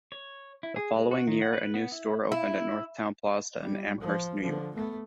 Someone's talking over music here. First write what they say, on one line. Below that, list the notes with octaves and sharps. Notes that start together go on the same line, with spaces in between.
The following year a new store opened at Northtown Plaza in Amherst, New York.
C#5
E4
G#4
G#3
F#4
D#3
F#5
B4
B3
E4
E4
G3
F3
D3 F3
A3 B3